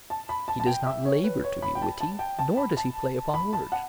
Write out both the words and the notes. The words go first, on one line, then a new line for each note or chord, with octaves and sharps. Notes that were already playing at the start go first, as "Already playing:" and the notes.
He does not labour to be witty, nor does he play upon words....
A5
B5
A5
A5
G5
E5
C#5
B4
C#5
B5
G5
A5
A5
G5
A5
B5
A5
B5
A5
F#5